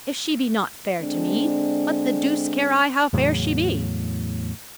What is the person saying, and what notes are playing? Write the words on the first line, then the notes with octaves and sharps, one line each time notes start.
If she be not fair to me, what the deuce care I how fair she be?
D3 G#3 C4 D4
E2 A2 C#3 F#3